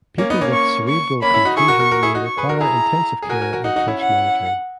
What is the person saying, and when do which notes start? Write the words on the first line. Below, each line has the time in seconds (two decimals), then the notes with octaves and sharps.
People with cerebral contusion may require intensive care and close monitoring.
0.18 A#3 C#4
0.30 B3 D#4
0.41 A#3 C#4
0.53 C#6
0.88 C#6
1.22 A#3 C#4 B5
1.34 C#4 E4
1.45 D#4 F#4
1.57 E4 G#4 C#6
1.68 F#4 A#4
1.79 F#4 A#4
1.91 F#4 A#4
2.03 E4 G#4
2.15 D#4 F#4
2.25 C#6
2.37 G#4 B4
2.49 F#4 A#4
2.60 E4 G#4 A#5
3.22 G#4
3.29 F#4 A#4 G#5
3.41 F#4 A#4
3.53 F#4 A#4
3.64 D#4 F#4 F#5
3.76 D#4 F#4
3.88 C#4 E4
4.00 F#5